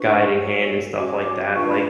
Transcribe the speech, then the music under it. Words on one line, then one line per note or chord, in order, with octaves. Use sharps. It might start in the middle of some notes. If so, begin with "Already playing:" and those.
guiding hand and stuff like that, like,
Already playing: D4 F4 B4 C#6
F#4 A4 C#5
C#4 F#4 C#5 D6
D4 F4 B4 C#6
B5